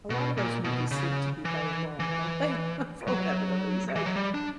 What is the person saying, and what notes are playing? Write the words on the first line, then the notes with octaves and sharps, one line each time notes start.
a lotta those movies seem to be very long, don't they? For whatever the reason, I guess.
B2
A#2
B2
C#3
E3
E3
F#3
E3
F#3
G3
D4